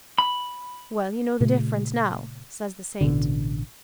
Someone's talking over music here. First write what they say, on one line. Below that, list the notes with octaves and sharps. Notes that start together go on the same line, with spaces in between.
"Well, you know the difference now," says the saint.
B5
A#2 C#3 A3
A1 B2 D3